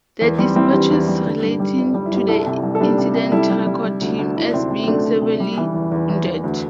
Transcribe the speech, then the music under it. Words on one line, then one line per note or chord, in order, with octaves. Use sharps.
The despatches relating to the incident record him as being severely wounded.
E2
G3 C4
G3 C4 E4
E2 D4 G4
E2
G3
D3
G2
G3
G1
G3
E4
G1
G4
C2 E4 A4
C3
C2
A4
G3 D4 G4
C3
C3
G3 E4 A4
G3
G3
G3
D2
D2
D2 E4
D4
C3 C4 E4
C3
C4
D2 A3 D4
D2
C3
G3
E3
E2
E2
E2
E2
D2